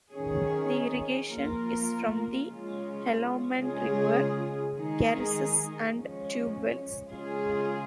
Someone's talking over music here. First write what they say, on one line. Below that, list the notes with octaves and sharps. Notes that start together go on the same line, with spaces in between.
The irrigation is from the Helamand River, karezes and tube-wells.
D#3 C#4 G#4
F3 A#3 F4 A#4
C#3 G#3 F4
C#3 G#3 F4 G#4
D#3 G#3 D#4 G#4
F3 G#3 C#4
C#3 G#3 F4 G#4